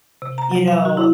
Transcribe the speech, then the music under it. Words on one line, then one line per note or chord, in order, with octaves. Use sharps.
you know,
C3
A#5
F#3
F5
F#4
E4